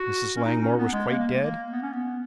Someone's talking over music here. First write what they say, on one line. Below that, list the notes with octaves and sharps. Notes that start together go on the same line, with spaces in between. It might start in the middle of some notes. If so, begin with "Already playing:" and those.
"Mrs. Langmore was quite dead?"
Already playing: F#4
C#4
D#4
C#4
B3
G#3
A#3
A#3
A#3
B3
C#4
B3